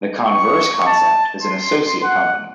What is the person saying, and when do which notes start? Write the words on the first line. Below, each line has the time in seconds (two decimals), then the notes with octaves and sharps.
The converse concept is an associate company.
0.26 C#6
0.86 A5
1.43 C6
2.03 F#5